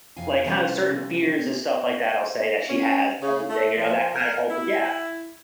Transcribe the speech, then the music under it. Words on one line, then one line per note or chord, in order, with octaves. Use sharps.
like, kinda certain fears and stuff like that, I'll say that she has and everything, you know, that kind of whole yeah,
F2 C3 F5 G#5
C3 F3 G3 C#4 A4 B4
C#4
C#3
A3
F3
A#4
E4